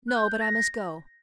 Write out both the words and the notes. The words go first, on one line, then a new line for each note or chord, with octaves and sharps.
"No, but I must go."
F#6
G6
A#6